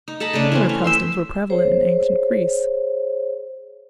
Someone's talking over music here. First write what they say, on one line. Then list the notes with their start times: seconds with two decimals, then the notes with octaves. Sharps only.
Similar customs were prevalent in Ancient Greece.
0.08 D#4
0.20 A4 D#5 A5 B5
0.33 C#3 A3 D4
0.52 E3 C4 C#4
0.69 C#4
0.84 E5 G5 C6
1.50 G#4 C5 C#5